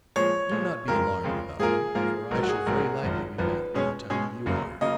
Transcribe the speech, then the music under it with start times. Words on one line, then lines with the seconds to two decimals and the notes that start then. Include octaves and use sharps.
Do not be alarmed about me, for I shall very likely be back by the time you are.
0.16 A#2 F3 G#3 C#5
0.51 A#2 F3 G#3
0.88 F2 C#3 F3 G#3 A#4
1.24 F2 C#3 F3 G#3
1.59 G#2 F3 A#3 F4 G#4 A#4
1.95 G#2 F3 A#3 F4 A#4
2.31 A#1 G#2 F#3 A#4
2.43 F#4
2.49 G#4
2.66 A#1 G#2 F#3 A#4
3.03 G#1 F#2 F3
3.38 G#1 F#2 F3 B4
3.74 B2 G#3 C#4 G#4 C#5
4.10 B2 G#3 C#4 G#4 C#5
4.46 F#1 F#2 C#3 F#3 A#3
4.81 C#3 F#3 A#3 D#5